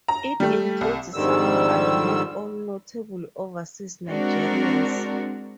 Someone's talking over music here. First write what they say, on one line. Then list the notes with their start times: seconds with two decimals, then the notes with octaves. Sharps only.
It includes some but not all notable overseas Nigerians.
0.08 A#5
0.40 G3 A3
0.81 C2
1.14 F2 G#2 D3 D#3 G3 E6
4.07 G#3 C4 D4 F#4 A#4